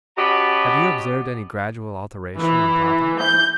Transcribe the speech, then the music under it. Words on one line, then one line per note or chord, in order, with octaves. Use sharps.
Have you observed any gradual alteration in Papa?'
C#4 F#4 G4 D#5 A5 B5
E3
G6